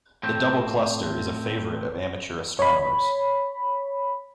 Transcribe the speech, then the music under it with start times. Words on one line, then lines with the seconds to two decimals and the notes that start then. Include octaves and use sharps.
The Double Cluster is a favorite of amateur astronomers.
0.23 A2 C4
2.59 C#5 B5